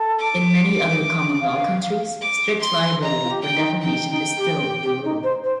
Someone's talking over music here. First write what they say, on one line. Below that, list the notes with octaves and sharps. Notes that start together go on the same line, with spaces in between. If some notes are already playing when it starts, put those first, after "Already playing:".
In many other common law countries, strict liability for defamation is still the rule.
Already playing: A4
D6
F5
D6
C6
D#5 A#5
F4
G4
G5
D#4
D#4 G5
D#4
G4
G4
G4
D#4
C5
C5